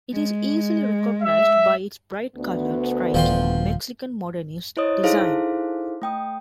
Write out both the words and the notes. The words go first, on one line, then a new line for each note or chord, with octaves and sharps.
It is easily recognized by its bright-colored, striking "Mexican Modernist" design.
G#3
E5
D2 B3
D#1 F3 G5 C6
E4 C5 C#5 D#5 D#6
D#4 E4 G#4 A4 C5 F5
A3 G5 D#6